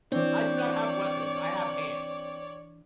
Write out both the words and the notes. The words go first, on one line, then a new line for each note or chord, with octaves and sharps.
I do not have weapons, I have hands."
E3 C4 D4 C#5 D5